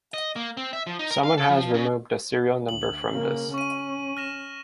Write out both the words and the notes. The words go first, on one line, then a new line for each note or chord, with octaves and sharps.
Someone has removed the serial number from this.
D#5
A#3
C4
E5
F3
D#4
A#4
F5
A4
F3
C#3
D2 F#7
C#3 A#3
C#4 C#6 D#7
F6 A#6 E7